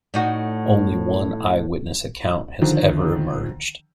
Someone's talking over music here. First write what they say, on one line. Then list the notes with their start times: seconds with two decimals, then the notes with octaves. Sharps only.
Only one eyewitness account has ever emerged.
0.14 A2 D#4 F#4
2.62 D3 D#3 F3